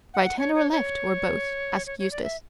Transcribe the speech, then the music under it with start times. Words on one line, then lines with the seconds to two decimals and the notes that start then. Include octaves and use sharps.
"Right hand or left, or both?" asked Eustace.
0.14 F#5
0.39 C#5
0.55 C#5
0.72 C#5
1.86 C#5
1.99 C#5
2.11 D5
2.23 E5